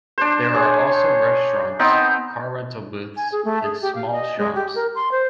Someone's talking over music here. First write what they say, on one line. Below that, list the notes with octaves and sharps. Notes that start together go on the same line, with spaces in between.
There are also restaurants, car rental booths and small shops.
D4 C5
G#4 C#5
B3 C4 D#4 D#5
G#5
G#4
A3
G#4
G4
F5
D#5
G#3
G4
A#4
C6
C5